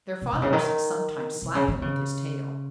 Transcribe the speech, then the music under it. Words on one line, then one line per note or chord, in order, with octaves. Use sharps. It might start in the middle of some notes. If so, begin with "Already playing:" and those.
Their father sometimes slapped them with his tail.
C3
C3
C#3
D#3
C3
C#3
D#3
C#3